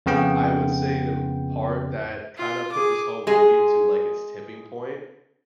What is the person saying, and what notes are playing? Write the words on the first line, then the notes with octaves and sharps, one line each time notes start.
I would say the m part that kinda put this whole movie to, like, its tipping point
F2 C#3 B3 G5
F4
G#4 D6
G#3 G#4